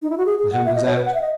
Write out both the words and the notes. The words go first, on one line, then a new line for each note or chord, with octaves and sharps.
The hand is out.
D#4
E4
F#4
G#4
G#4
F#5
E5
D#5
C#5
B4
F#5
E5
D#5